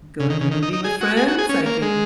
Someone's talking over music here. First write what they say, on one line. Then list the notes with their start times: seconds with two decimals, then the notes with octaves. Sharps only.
go to the movie with friends, I can
0.20 C#3
0.30 D#3
0.41 C#3
0.52 D#3
0.63 D#4
0.73 D#4
0.84 G#4
1.01 F#4
1.17 G#4
1.28 F#4
1.38 G#4
1.49 C#4
1.66 A#3
1.82 G#3